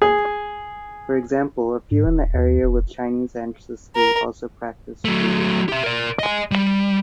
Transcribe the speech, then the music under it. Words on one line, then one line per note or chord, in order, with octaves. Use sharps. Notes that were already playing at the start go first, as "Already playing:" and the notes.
For example, a few in the area with Chinese ancestry also practice Buddhism.
G#4
G#2
D#1
D#2
F1
A#4
F#3 A3
G4 E5
A#4 D5
D#5 G#5
G3